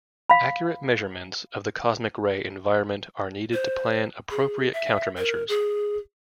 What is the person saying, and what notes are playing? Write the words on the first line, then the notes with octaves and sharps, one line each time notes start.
Accurate measurements of the cosmic ray environment are needed to plan appropriate countermeasures.
F5 B5
C5
G#4
E5
A#4
G#4